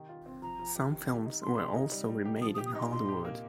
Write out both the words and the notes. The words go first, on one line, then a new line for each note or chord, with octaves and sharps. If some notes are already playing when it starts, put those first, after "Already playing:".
Some films were also re-made in Hollywood.
Already playing: D#3 G4
F4
C4
F3 A#5
F3
G4
D#3
G4
D#4
C3 C6
G4
D#4
G3
G3
G4
F3 D#6
D#6
G4
D#6
D#4 C6
A#2 C6
G4
A#3